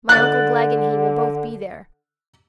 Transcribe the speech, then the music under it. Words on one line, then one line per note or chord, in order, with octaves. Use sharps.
My uncle Glegg and he will both be there.
D3 F#6 A6